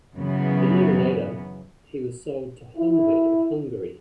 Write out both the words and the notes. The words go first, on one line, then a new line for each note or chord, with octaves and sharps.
A year later, he was sold to Honved of Hungary.
F#2 C#3 E3 B3
E4